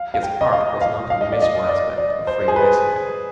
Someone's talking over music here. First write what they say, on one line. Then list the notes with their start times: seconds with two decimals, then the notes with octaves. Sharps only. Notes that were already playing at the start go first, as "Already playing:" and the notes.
His heart was not in the mystical aspect of Freemasonry.
Already playing: F5
0.14 F5
0.23 G5
0.41 D#5
0.53 F5
0.81 F5
1.10 F5
1.21 D#5
1.32 D5
1.42 D#5
1.68 D5
1.98 D5
2.27 C5
2.48 G#4
2.56 B4